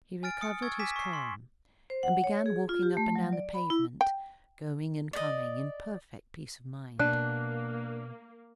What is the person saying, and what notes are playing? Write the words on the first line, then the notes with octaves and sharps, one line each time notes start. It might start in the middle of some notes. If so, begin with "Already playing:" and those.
He recovered his calm, and began walking up and down the pavement, going and coming, in perfect peace of mind.
G#5 F6 A6 D7
D#6 C#7
C#6 E6 G#6 A6
G#5 D6 B6 E7
C#6 C7
C6
C5
F#5
C#5
G#4
F4
G4
A3
F#3
D5
B5
E4
G5
D5 D#5
B2 A#3 D4 F#6